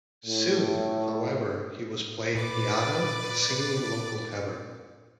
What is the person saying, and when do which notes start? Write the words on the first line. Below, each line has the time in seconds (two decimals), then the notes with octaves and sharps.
Soon, however, he was playing piano and singing in local taverns.
0.25 A2
2.35 A#2 B4 D5 D6